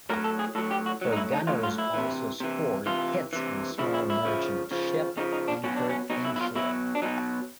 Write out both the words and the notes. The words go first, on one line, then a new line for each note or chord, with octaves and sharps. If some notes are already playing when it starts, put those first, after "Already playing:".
Her gunners also scored hits on a small merchant ship anchored inshore.
A2 F#3 A#4
A4
G#4
A2 F#3 A4
G4
F#4
A2 F#3
D#4
E4
D#4
A2 F#3 F4
F4
E4
C3 E3
C3 E3
C3 E3 F4
C3 E3
C#3 F3 E4
E4
E4
C#3 F3
C#3 F3
C#3 F3 D#4
D#4
D4
B2 F#3 C#4
D4
C#4
B2 F#3 D#4
E4
E4
F4
B2 F#3 E4
D4
B2 F#3 D#4